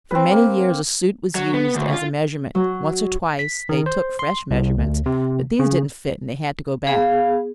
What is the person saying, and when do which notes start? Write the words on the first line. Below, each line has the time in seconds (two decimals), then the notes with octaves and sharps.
For many years a suit was used as a measurement; once or twice they took fresh measurements, but these didn't fit and they had to go back.
0.11 C4 B4
0.32 A#3
1.35 F#3
1.54 B3
1.75 D2
1.93 F4
2.55 F#3
3.39 B6
3.69 D#3
3.86 C5
4.19 C6
4.51 C2
4.78 D2
5.06 C3
5.59 C#3
6.87 B3 G#4 F5